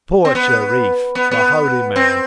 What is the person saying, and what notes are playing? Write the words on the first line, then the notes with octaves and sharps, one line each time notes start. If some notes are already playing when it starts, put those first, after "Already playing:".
Poor Shereef!—the holy man!
C4
B3
B3
B3
C4